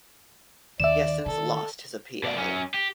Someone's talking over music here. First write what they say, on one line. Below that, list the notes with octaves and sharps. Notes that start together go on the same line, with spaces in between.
He has since lost his appeal.
D#2 D#3 D5 E5 E7
D#3 A4
B2 D5
F#2 C#4
G4